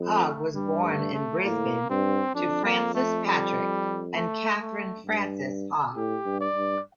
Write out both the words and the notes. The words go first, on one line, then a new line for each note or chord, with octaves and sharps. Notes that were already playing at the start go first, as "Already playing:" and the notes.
Hogg was born in Brisbane to Francis Patrick and Catherine Frances Hogg.
Already playing: F2
A3
G2 G3
A3
A3
A2 A#3
G2 C4
F2 D4
A#3
A3
G3
A3
A3
G2
A2 G4
G2
D5
G2